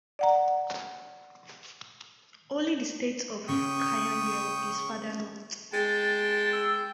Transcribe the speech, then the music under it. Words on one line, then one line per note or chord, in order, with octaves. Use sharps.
Only the state of Kayangel is farther north.
D5 F#5 A#5
C#3 G5 C#6 D#6
G#3 G5 A5 A6
E6